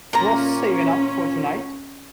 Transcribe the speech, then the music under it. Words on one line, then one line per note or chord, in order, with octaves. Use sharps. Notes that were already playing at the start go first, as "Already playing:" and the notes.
Flo's saving up for tonight.
A#2 A#3 C#4 A#5